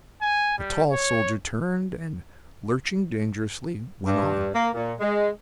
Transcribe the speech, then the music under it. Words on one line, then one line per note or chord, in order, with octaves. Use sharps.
The tall soldier turned and, lurching dangerously, went on.
G#5
G3
C#5
G2
A#3
A#2
G#3